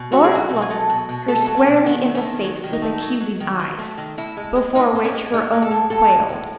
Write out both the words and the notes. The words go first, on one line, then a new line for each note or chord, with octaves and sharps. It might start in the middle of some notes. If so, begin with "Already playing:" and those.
Lawrence looked her squarely in the face with accusing eyes, before which her own quailed.
Already playing: B2
A3 F#4
G#4
F#3 F#4
B2
G#4
F#3 A4
B2
B2
A3 A4
A4
F#3
B3
B2
D#3 B3
A3
C#4
D#3
F#3
D#3
D#4
A3
F#3
F#3
D#3
F#3
A3
D#3
A2 E4
G#3
G#3
A2 D#4
A2
C#4
G#3
G#3 D#4
A2
A4
A2
A2 A4
G#3
A2